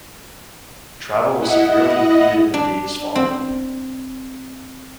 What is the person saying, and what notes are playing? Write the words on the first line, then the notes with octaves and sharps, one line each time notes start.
Travel was severely impeded in the days following.
E4 D#5 F#5
D4
C4